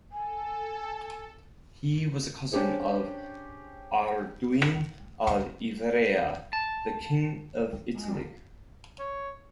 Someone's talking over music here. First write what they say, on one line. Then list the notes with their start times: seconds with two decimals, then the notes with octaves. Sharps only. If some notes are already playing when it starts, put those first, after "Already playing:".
He was a cousin of Arduin of Ivrea, the King of Italy.
0.12 A4 G#5
2.52 C#4 D4 G4 G#4 C5
6.53 A5
8.99 C#5